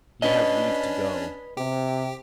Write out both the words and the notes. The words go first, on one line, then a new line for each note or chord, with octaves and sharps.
You have leave to go....
C#4 D4 B4 D#5
C3 G4